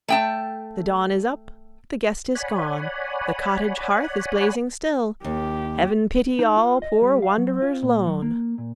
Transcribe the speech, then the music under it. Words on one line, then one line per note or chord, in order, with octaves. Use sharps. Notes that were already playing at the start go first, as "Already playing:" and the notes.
The dawn is up--the guest is gone, The cottage hearth is blazing still; Heaven pity all poor wanderers lone!
A3 G5 A5
C#5 D5 F#5 G#5 B5
D#2 G4
D#4
F4
D#5
G3
F5
F#3
F4
A#2
F#3
A#3
A#2